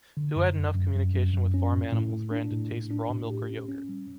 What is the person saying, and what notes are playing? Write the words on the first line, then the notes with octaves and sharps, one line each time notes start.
Who had enough communication with farm animals ran to taste raw milk or yoghurt.
D3
F#2
F#2
F#2
F#2
F#2
F#2
C#4
A2
A2
A2
D4
A2
A2
D4
A2
G4
C#4
C#4
G3